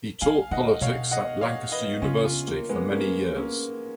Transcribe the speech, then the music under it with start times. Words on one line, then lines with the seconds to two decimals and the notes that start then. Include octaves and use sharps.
He taught politics at Lancaster University for many years.
0.21 D#3 F5 G#5
0.51 D#3 D#5 F#5
0.81 B2 C#5 F5
1.11 D#5 F#5
1.41 C#5 F5
1.72 B4 D#5
2.02 C#3 C#4 F4
2.24 C#4 F4
2.48 A#3
2.69 G#3 B3
2.92 A#3 C#4
3.37 A#3 C#4